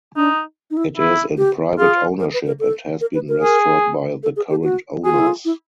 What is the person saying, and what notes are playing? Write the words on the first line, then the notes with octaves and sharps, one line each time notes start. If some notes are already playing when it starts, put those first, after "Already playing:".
It is in private ownership and has been restored by the current owners.
D4 D#4
D#4
E4
E4
G4
F4 G#4
A#4
B4
A#4
A4
A#4
B4
A#4
G#4
A4
G#4
G4
F#4
F#4 G#4
F4
E4
F4
E4